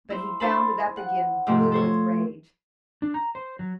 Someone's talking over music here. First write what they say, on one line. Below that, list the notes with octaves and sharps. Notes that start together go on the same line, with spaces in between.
But he bounded up again, blue with rage.
E4 C5
D4 E4 C5 A5 B5
F#5
G#2 C3 F3 A3
A4 C5 C#5
D4
A#5
C5
F#3